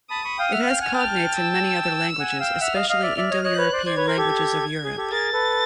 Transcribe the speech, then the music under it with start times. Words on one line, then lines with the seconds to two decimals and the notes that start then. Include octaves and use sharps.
It has cognates in many other languages, especially Indo-European languages of Europe.
0.10 A5 B5 D#6
0.25 B5 C#6
0.38 F5 G5
0.52 E5 F#5 F6
0.66 F5 G5
0.80 F#5 G#5
0.94 G5 A5
1.36 E6
2.19 F#5 G#5
2.40 F5 G5
2.61 E5 F#5 F6
2.75 D#5 F5
2.89 D#5 F5
3.02 D5 E5
3.17 D5 E5
3.31 C#5 D#5
3.44 C#5 D#5 F#6
3.58 B4 C#5
3.73 C5 D5
3.86 C5 D5 G#6
3.97 B4 C#5
4.07 A#4 C5
4.17 G4 A4
4.84 G#4
4.97 G4 A4
5.11 G#4 A#4 A6
5.33 A4 B4